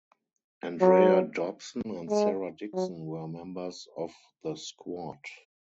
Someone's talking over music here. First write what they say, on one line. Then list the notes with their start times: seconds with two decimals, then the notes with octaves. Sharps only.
Andrea Dobson and Sarah Dixon were members of the squad.
0.81 F#3
2.09 G#3
2.74 F#3